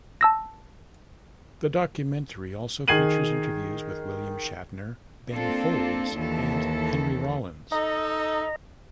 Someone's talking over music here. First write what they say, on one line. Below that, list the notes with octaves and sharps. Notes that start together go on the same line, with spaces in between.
The documentary also features interviews with William Shatner, Ben Folds, and Henry Rollins.
A5 E6 A#6
D#3 G#4 G#6 C7 D#7 F#7
A#3 C4 D4 F4 A4
D#2 E3 A4
D#4 A4 D#5 A#5